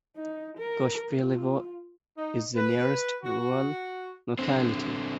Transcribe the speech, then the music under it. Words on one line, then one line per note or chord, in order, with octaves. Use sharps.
Kushpelevo is the nearest rural locality.
D#4
A#4
F4
D#4
B4
F#4
D3 C4